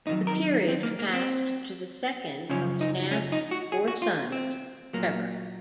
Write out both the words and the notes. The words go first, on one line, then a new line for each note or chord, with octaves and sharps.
The peerage passed to the second of Stamp's four sons, Trevor.
F2 D#3 F#3 D#4
A#4
C4
A#3
A#3
C4
F#2 C#3 F3 C#4
D#4
C#4
D#4
F#4
G#4
F#4
F4
C4
A#2 F#3 A#3